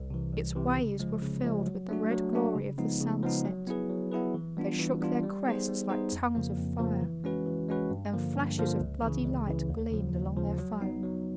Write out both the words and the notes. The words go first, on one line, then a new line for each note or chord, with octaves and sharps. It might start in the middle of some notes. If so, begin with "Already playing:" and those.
Its waves were filled with the red glory of the sunset; they shook their crests like tongues of fire, and flashes of bloody light gleamed along their foam.
Already playing: C2
C3 E3
C2
C3 E3
C#3
F3 G#3
C#3
F3 G#3
F#3
A3 D4 F#4
F#3
A3 D4 F#4
C#3
F3 G#3 B3 D#4
C#3
F3 G#3 B3 D#4
F#3
B3 E4 G#4 B4
F#3
B3 E4 G#4 B4
E3
G3 B3 D4 F4
E3
G3 B3 D4 F4
G3
B3 D#4 G#4 C5
G3
B3 D#4 G#4 C5
F2
C#3 F3 A#3
F2
C#3 F3 A#3
E3
G#3 C#4 F#4 B4
E3
G#3 C#4 F#4 B4
G2
D3 F3 A#3
G2
D3 F3 A#3
C#2
C#3 E3
C#2
C#3 E3
D#2
C#3 F3
D#2
C#3 F3
F#3
B3 D#4
F#3